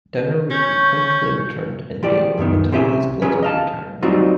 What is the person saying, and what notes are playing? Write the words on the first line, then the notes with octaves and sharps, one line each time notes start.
Downer would be comfortably returned in Mayo until his political retirement.
C#4 C#6 G6
F3 G4 D5
C#2 F#2 D#3 B3
C2 C4 C#4 G4 E5 G#5
F3 C#4 G#4 B4
D#5 F5 A5
F#3 G3 C4 D#4 F4 F#4